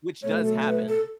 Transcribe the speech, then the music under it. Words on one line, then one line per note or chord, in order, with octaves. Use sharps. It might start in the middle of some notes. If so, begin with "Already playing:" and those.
which does happen,
B2 F#3 A3 C#5
A4
B4
A4